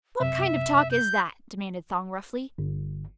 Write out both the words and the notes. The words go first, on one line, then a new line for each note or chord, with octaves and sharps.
"What kind of talk is that?" demanded Thong roughly.
F#2 C3 E5
G6
G1